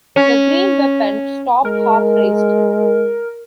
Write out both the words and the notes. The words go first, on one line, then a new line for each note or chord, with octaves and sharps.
The green weapon stopped half raised.
C#4
G#3 A#4